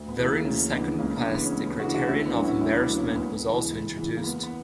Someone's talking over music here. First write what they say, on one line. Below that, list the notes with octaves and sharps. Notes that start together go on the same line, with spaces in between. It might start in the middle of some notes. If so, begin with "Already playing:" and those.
During the second quest the criterion of embarrassment was also introduced.
Already playing: D2
B3
C#3 E3
A#3
D2 A#3 C#4
C#3 E3 B3 D4
C#2 A#3 C#4
B3 D4
C#3 E3
B3
C#4
C#2 B3
B3
C#3 E3 D4 F#4
D4 F#4
D2 C#4 E4
B3 D4
D3 F#3 F#4
C#4 E4
D2 C#4 E4
B3 D4
D3 F#3
A#3 C#4
C#2 B3
C#3 E3
C#2
C#3 E3
A#3
E2 B3
B3